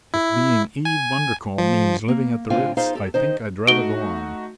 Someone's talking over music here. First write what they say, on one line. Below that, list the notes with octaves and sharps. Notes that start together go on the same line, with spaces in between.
If being Eve Bundercombe means living at the Ritz I think I'd rather go on.
E4
G#5
F3
A#3
A2 D3 C4 F4 F5 G#5
D#4 F4 G#4 C5 F5
G4 A4
D#3 D#4 C5
A3 D#4 F#4 D7 G7